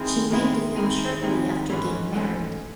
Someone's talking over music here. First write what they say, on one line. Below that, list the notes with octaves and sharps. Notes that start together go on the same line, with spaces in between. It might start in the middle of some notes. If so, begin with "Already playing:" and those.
She made the film shortly after getting married.
Already playing: D#3 G#3 C4 E4 G#4
D#3 G#3 C4 E4 G#4
D#3 G#3 C4 E4 G#4
D#3 G#3 C4 E4 G#4
G#2 E3 A3 C#4
G#2 E3 A3 C#4